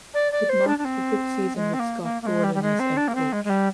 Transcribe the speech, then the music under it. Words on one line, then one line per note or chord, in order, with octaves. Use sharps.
It marked the fifth season with Scott Gordon as head coach.
D5
D5
C5
D4
D4
C4
G#3
C4
A#3
A#3
A#3
G#3
G3
G3
G#3
C4
D4
A#3
C4
G#3
G#3
G3